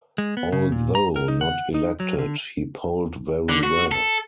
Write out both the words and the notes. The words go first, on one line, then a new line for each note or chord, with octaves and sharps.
Although not elected, he polled very well.
G#3
B3
C#3
A#2
A#5
A#4
D#4
F#5
D#4
F#3
D3
D3
F#4
A4